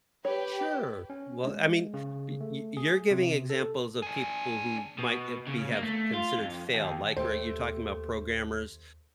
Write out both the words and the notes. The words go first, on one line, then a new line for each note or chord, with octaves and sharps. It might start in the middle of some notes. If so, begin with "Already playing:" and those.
Sure. Well, I mean, y y you're giving examples of people who might, uh, be have considered failed, like, r you're talking 'bout programmers,
G4 B4 C#5
C#4
G#3
C#3
A3
G#4
C3
A4
D4 G#4
B2
C#3
A#3
A3
F4
F2
D#2
D#2 A3 G4 C5